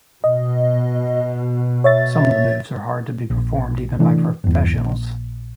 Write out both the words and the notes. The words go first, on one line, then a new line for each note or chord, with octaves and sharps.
Some of the moves are hard to be performed even by professionals.
B2 D#5
C#5 E5 A6
A#1
C3 E3 A3 D4
G1 E2
A#1